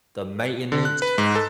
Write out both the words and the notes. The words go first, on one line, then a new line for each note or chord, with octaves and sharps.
the maintenance.
D3
F#6
B4
G#2
A4